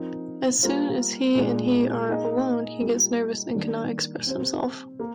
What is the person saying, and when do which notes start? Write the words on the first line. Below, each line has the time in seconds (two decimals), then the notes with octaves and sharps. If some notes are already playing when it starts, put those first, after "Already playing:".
As soon as he and he are alone, he gets nervous and cannot express himself.
Already playing: F3 C4 D#4 A#4
0.63 G3 A#3 F4 C5
1.35 A#2 G#3 D4
2.09 A#3 D#4 G#4 D#5
2.81 G3 A#3 F4
3.55 D#3 G3 A#3 D4
4.27 C4 G4 C5
4.99 A#3